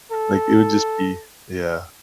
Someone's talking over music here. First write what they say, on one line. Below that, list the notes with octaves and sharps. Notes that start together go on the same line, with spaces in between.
like, it would just be Yeah.
A4